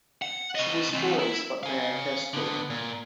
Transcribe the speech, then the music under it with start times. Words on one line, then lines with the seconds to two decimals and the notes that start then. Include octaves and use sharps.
She was voiced by Mae Questel.
0.22 F#5
0.55 C3 D#5
0.93 E3 C4
1.19 E4
1.63 F5 G#5
2.34 D3 B3
2.70 A#2